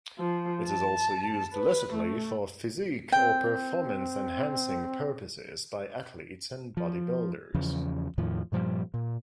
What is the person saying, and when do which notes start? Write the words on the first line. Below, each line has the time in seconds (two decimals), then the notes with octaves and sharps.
It is also used illicitly for physique- or performance-enhancing purposes by athletes and bodybuilders.
0.19 F3
0.67 A5
1.53 B4
1.93 A3
3.12 C4 G5
6.77 F3
7.54 E2 C#3 F3
8.18 E2 A2 D#3 F3
8.52 G2 A#2 F3 G3
8.94 A#2